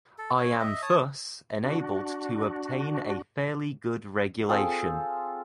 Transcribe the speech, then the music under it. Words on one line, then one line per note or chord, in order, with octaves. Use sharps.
I am thus enabled to obtain a fairly good regulation.
A4
C#5
D#5 E5
C#5 A5 D#6
D4 F#4
C4 F4 G#4 A4